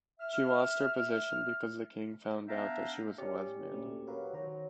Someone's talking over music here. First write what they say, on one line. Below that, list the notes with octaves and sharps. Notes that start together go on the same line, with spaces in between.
She lost her position because the king found out that she was a lesbian.
E5 F6
B3 D4 E5 F5 G5 A#5
C#4 G4 D5
D2 A#2 A3 C#4
F#3 A#4 B4 F5
D#3 F#3 C5 A#5